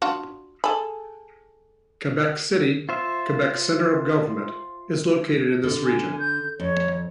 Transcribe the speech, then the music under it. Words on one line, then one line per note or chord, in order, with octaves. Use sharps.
Quebec City, Quebec's centre of government, is located in this region.
D4 F4 F#4
G#4 A4 B5
F4 C5 E5
D3
G#5
G6
F2 C#5